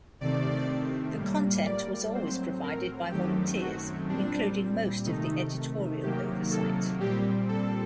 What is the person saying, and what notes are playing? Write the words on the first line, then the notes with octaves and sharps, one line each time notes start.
The content was always provided by volunteers, including most of the editorial oversight.
C3 D#3 A3 C4 D5
A2 G3 A#3
D5
A2 F#3 C4 C5
A#4
F#2 D#3 F#3 A3 C4 G4
F#4
A#2 G3 C4 D4
C3 D#3 A3 D#4
C3 D#3 F#3 A#3 G4
A4
A#2 G3 C4 G4
A4